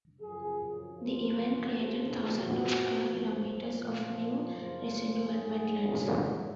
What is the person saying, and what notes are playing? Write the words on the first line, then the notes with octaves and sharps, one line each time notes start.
The event created thousands of square kilometres of new residual wetlands.
F#2 C#3 F3 G#4
F#2 F3
F2 C#3 F3 F#4
A#2 F3 F#4
F#2 F3
A#2 F3
F#2 C#3 F3
G#2 F#3 G#4
G#2 F#3